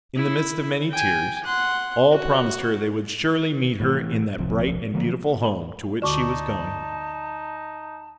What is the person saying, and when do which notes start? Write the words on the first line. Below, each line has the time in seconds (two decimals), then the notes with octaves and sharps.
In the midst of many tears all promised her they would surely meet her in that bright and beautiful home to which she was going.
0.16 E4
0.91 G5 G#5
1.44 F#5 C6
2.12 F#4
3.80 A2 E3
4.38 D1 B1 C3 F3
4.94 D3 F3 F#3 A#3
6.02 D2 D3 D#4 F#4 D5 A5 C#6 D6